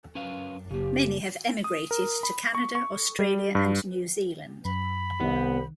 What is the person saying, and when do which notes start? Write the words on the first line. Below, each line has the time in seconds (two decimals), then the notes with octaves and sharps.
Many have emigrated to Canada, Australia and New Zealand.
0.15 F#2 C#4 B4 F5
0.71 F#1 C#3 A#3 G4
1.64 D#6
1.91 A#4
2.23 B5
2.55 C#6
2.75 C#6
3.19 G3
3.55 G2
4.65 F#2 B5
5.20 C2 D#3 B3